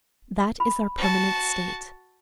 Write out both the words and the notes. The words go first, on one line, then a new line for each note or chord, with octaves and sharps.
That is our permanent state.
B5
F#4 A5